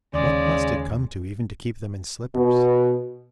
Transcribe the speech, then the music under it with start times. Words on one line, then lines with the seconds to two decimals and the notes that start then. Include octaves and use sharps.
What must it come to even to keep them in slippers.
0.14 D#2 C#3 G#3 D5
2.35 B2